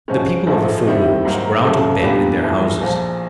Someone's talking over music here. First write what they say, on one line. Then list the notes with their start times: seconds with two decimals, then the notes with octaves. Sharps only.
The people of the faubourgs were out of bed in their houses.
0.08 G#2 F3 G#3 C#4
0.47 A#1 G#2 F3 A3
0.86 C3 D#3 G3 C4 E4
1.25 G#2 D#3 F#3 A#3
1.64 D#2 C#3 F#3 A3
2.02 A#2 G3 B3 D4 G4
2.41 A#1 A2 E3
2.81 A#1 A#2 F3